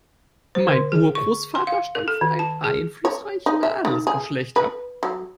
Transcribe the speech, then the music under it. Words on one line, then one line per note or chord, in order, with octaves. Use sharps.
Mein Urgroßvater stammte von einem einflussreichen Adelsgeschlecht ab.
C5
D3
G#4
C#6
C6
F5
A#4
A4
D#3
A5
G#4
C#5
D#4
E5
D#3
G#4
B4
F#3